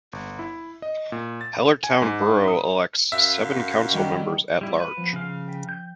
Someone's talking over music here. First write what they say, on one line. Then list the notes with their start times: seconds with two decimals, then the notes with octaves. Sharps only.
Hellertown Borough elects seven council members at large.
0.13 G1
0.39 E4
0.82 D#5
1.12 A#2
1.41 A6
1.84 G#5
2.02 G#2
2.48 D#6
3.12 F#2 E5 F5
3.90 D#3 F#3 G3
4.61 G3 E4
4.80 B4
4.97 F3 B3
5.13 C#3 F5 C6
5.48 G5 B6
5.69 G6